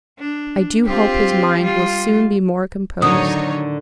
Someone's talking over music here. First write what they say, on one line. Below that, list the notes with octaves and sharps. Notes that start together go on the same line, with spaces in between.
I do hope his mind will soon be more composed.
D4
C4 F4 G4
G3 F4
A2 D3 D#3 F#3 D#4 C#5 D#6